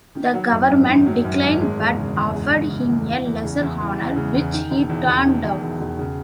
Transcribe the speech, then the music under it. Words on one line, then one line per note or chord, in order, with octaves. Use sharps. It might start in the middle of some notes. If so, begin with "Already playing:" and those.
The government declined but offered him a lesser honour, which he turned down.
D#3
F#3
F#2
G#1
D#3
F#3
F#2
G#1
G#3
E2
C#3
E2
G#3
E2
C#3
E2
E3
E2
C#3
E2
E3
E2
C#3
E2
D#3
E1
E2
E1
D#3
E1
E2
E1
C#3